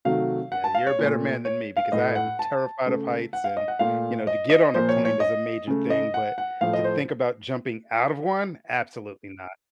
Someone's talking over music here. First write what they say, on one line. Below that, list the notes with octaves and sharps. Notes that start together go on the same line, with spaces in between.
Yeah, you're a better man than me because I am terrified of heights and, you know, to get on a plane is a major thing, but, to think about jumping out of one? Absolutely not.
C3 D#3 F#3 A3 F5
F#5
A5
F5
C#5
A#2 A3
C#5
F5
A2 A3 D#5
F#5
A5
C#3 A3
F#5
F5
D#5
F#5
A#2 A3 F5
D#5
D#5
A#2 F3 A#3 C5
C#5
C#5
D#5
C#3 A3
D#5
F#5
F#5
A2 F3 A3 F5
D#5
C5